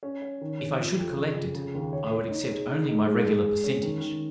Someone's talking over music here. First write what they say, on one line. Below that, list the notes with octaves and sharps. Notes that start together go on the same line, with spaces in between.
If I should collect it, I would accept only my regular percentage.'
C#4
C#5
D#3
C#4
F3
F2
C#3
F2
C#3
D#2
C#5
C#5
D#4
G#4
D#4
D#4
G#3
G#3
G#4
C#4
D#3
D#3